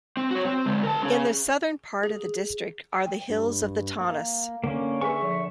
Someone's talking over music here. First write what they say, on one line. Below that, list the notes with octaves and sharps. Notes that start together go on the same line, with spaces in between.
In the southern part of the district are the hills of the Taunus.
C4
F#4 C#5
C4
D3 G#3
A#4 A5
C#4 G#4
G#4
G5
G2
A#3
D3 A#3 C#4
G#4 B4 E5 G#5 C#6
F3